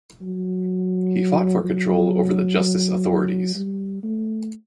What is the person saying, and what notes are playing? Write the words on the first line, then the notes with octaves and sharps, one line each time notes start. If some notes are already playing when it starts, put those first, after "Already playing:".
He fought for control over the justice authorities.
F#3
F#3
F#3
G3
A3